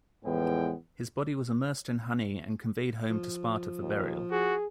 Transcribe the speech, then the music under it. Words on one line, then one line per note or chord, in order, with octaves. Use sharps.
His body was immersed in honey and conveyed home to Sparta for burial.
E2 A2 F3 G#3 B3 G5
F3
D#2
F#4 G#4